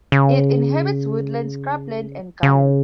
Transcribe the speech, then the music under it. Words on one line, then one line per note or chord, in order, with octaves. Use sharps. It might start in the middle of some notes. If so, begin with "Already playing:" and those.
It inhabits woodland, scrubland and gardens.
C#3
C#3